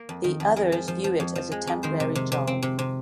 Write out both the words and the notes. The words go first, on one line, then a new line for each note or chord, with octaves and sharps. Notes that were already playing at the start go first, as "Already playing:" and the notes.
The others view it as a temporary job.
Already playing: A#3
F2
D#3
F2
G#3 A#4
F3
F3
F3
F2
F3
G#3
F2
D#3 C5
C3
C3
C3
C4
C3
C3